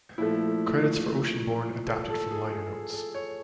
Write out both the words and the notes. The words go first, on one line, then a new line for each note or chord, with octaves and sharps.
Credits for "Oceanborn" adapted from liner notes.
A#2 F3 A3 E4
A4
A4
G#4
G#4
A4
C#5